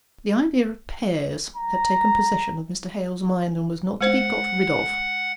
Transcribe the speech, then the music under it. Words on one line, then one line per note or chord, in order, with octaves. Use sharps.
But the idea of pears had taken possession of Mr. Hale's mind, and was not to be got rid of.
A#5
G#3 C5 F#5